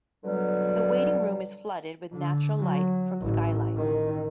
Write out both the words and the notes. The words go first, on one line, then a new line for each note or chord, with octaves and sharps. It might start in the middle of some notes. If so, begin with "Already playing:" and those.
The waiting room is flooded with natural light from skylights.
B2 D3 F#3 G3
D3
F#3
A1
D#3